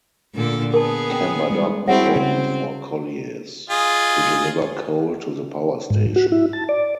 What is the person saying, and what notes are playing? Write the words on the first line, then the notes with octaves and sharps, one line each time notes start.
Camber Dock was opened for colliers to deliver coal to the power station.
A#2 D3 A4
B3 G#4 A#4 A5
C#4
G3 G#3
G3 C4 E4 F#4 G#4 C#5 E5 F#5
C#3 C4
F4 G#4 D#5
G#2
F#4
E4
A5
D5